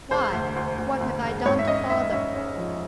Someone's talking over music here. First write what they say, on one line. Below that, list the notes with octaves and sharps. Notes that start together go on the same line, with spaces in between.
"Why, what have I done to father?"
E1 C5
D2
D2
D2
D2
E1
G#2 C#5
E5
C#4 D#5
G#2 E5
C#4 E5
C#4
F3